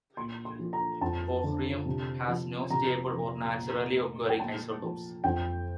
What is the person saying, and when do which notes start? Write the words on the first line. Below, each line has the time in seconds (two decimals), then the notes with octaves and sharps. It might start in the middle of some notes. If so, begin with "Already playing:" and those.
Bohrium has no stable or naturally occurring isotopes.
0.17 A#2 C6
0.45 C6
0.59 F3
0.73 A#5
1.01 F2 A5
1.44 D3
1.86 C3
2.28 F3
2.70 C3 A#5
3.12 F3
3.55 A#2
3.97 A3
4.29 G5
4.40 A#2 A5
4.82 F3
5.24 F2 G5